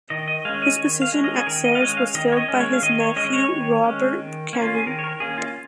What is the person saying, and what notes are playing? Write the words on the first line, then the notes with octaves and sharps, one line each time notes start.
His position at Ceres was filled by his nephew Robert Buchanan.
D#3 D#5
D#5
G#3 C#4 F5
D#5
D#3 C#5
F5
G#3 C#4
D#5
G#4
D#3 A#4
D#5
F5
G#3 C#4 D#5
F5
D#3 D#5
C#5
D#5
G#3 C#4
C#5
F5
D#3 D#5
C#5
G#3 C#4 D#5
C#5
D#3
G#3 C#4
D#3
A#3 C#4
F4
G#4
D#3 A#4
C#5
A#4
A#3 C#4 G#4
F4